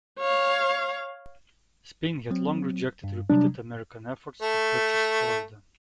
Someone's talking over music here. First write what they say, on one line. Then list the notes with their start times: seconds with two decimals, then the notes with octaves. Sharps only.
Spain had long rejected repeated American efforts to purchase Florida.
0.19 C#5 F5
2.31 F#3 C4
3.04 G2
3.30 C3 F#3 G3 D4
4.41 A3